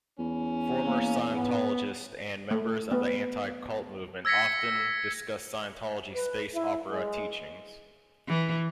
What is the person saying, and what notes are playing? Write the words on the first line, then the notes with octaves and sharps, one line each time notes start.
Former Scientologists and members of the anti-cult movement often discuss Scientology's space opera teachings.
E2 C#4
A#3
G#2 B3
A3
B3
E6 G#6 A#6 B6 C#7
B4
E4
G#3
E3